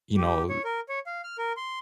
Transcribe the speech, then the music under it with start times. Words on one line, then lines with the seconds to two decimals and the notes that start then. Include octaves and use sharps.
you know,
0.17 G4
0.49 C#5
0.64 A#4
0.89 C#5
1.06 F5
1.24 F6
1.38 A#4
1.57 C6